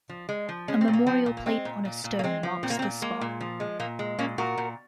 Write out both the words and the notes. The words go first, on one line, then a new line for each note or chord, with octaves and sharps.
A memorial plate on a stone marks the spot.
F3
G#3
F3
G#3 C#4
C4
A#2
A#3
F3 C4
A#2
A#3
G#3 C4
A#2
A#2
A#2
A#3
G#3 C4
F3
A#2 C4
A#3
C4
A#2
G#3 A#3
A#2
F3
G#3
A#2 A#3
G#3
A#2 A#3 C#4
A#2 F#4 A#4
A#2